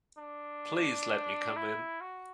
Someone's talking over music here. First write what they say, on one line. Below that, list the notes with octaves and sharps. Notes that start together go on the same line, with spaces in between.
Please let me come in.
D4
E4
F#4